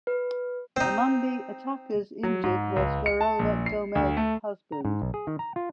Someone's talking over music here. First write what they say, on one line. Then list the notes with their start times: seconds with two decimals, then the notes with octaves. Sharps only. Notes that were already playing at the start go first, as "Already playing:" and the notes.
Among the attackers injured was Varela Gomes’ husband.
0.07 B4
0.77 C4 D#4
2.23 F#3
2.44 G#2
2.76 C#2
3.06 C#7
3.21 A5
3.39 A#1
3.66 C7
3.95 D2
4.17 A3
4.72 A#5
4.85 G#2
5.02 B1
5.14 G#4
5.27 D#3
5.39 A#5
5.56 F4